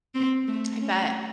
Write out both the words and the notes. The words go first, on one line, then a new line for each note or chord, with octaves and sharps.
I bet.
C4
A3
C#4